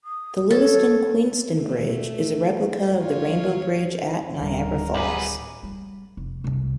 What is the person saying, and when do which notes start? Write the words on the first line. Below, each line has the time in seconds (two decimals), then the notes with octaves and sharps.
The Lewiston-Queenston Bridge is a replica of the Rainbow Bridge at Niagara Falls.
0.04 D#6
0.51 A4 C#5
1.50 A3
2.96 F4 C#5
4.41 D1 D#3 G3 A#4
4.95 C2 F#3 G4 G#4 B4
5.63 G3
6.17 F1
6.44 C2